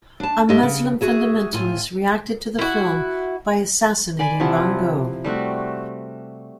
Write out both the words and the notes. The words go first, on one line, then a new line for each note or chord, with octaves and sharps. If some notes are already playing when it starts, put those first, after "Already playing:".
A Muslim fundamentalist reacted to the film by assassinating Van Gogh.
D4 A5
G#2 G#3 A3 G4 D#5 E5
C#3
F#4 G#4 E5
A2 F4 G#5
E4 F#4
D5 G#5 B5 C6
C3 F3 E4 F#5
G3 A3 C4 F#4